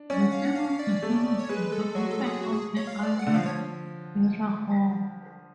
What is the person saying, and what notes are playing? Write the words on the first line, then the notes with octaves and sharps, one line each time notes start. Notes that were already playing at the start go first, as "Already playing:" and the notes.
The theme of the series is the effects of the Iran–Iraq War.
Already playing: D4
C#4 D5
F#5
F5
F#5
F5
D5
A3
C#5
G#3 B4
A4
F#3 F#4
A4
G#4
F#4
G#4
C#5
F5
D5
F#5
D3
F3 F5
C#5